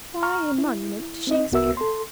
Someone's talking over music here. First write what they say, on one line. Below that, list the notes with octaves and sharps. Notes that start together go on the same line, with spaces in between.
Why a monument to Shakespeare?
A#5 C#6 F6
E4
C4 D#4 D#5
C2 B3 F#4 A#4 E5 E6
A4 C6